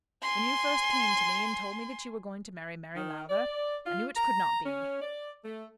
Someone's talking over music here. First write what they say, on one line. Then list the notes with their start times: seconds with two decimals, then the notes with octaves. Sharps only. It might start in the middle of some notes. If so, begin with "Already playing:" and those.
When you first came to me and told me that you were going to marry Mary Lowther, I knew it could not be.
0.22 G#5 C6
2.96 D#3
3.29 D5
3.86 F4
4.16 A#5
4.66 C#4
5.02 D5
5.44 A3